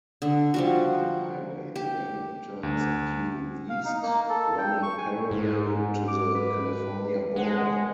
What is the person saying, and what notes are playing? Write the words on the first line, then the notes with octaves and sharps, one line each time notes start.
The highway then turns due east, running parallel to the California border.
D3
F3 G3 F#4
G4
D2
F5
D#4
A#3
A4
G5
C#6
G#5
G#2
D6
B4
G#3 F#5